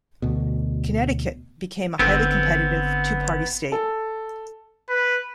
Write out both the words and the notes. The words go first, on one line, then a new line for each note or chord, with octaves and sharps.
Connecticut became a highly competitive, two-party state.
D2 B2
G1 D3 B3 C4 E6
A4
B4